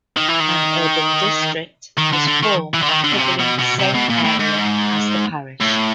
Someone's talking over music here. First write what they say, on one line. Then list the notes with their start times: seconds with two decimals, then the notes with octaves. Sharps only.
An urban district was formed covering the same area as the parish.
0.17 D#3
0.28 E3
0.40 D#3
1.98 D#3
2.13 D3
2.28 D3
2.43 D#3
2.74 E3
2.82 D3
2.89 D#3
3.04 D3
3.12 B2
3.19 C3
3.39 B2
3.59 B2
3.79 C3
3.94 B2
4.10 A#2
4.25 A2
4.40 G#2
5.61 A2